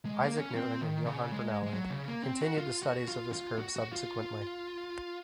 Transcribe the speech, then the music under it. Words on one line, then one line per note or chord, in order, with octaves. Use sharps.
Isaac Newton and Johann Bernoulli continued the studies of this curve subsequently.
G#3
A#3
C#4
C4
D#3
C#3
G#3
G#3
F#3
C#3
A#3
C4
F#4
F4
F#4
F4
F4
F#4
F#4
F4